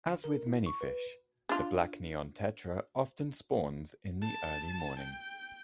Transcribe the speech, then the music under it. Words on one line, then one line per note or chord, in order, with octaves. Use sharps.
As with many fish, The black neon tetra often spawns in the early morning.
D3
A#4
E4
C#6
B4
D4 F4
A5
G5